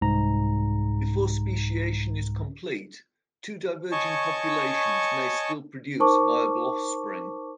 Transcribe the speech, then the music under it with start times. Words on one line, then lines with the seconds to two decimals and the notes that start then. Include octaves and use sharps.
Before speciation is complete, two diverging populations may still produce viable offspring.
0.01 C2 G#2 A#5
3.92 C#5 D#5 G#5 A5 C#6
6.00 D#4 A#4 C5 A5 C#6 D6